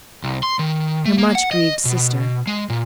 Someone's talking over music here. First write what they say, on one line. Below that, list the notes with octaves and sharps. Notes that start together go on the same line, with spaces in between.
'Your much grieved sister.'
C2
C6
D#3
A3
A#3
F#5
D#5
B2
G#3
A#2